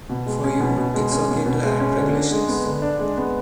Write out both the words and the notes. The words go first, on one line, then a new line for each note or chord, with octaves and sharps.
For you, it’s ok to add regulations.
B2
G#3
C#4
B2
B2
G#3
C#4
B2
B2
G#3
C#4
D3
D4
G#3
B3
D3
D4
G#3
B3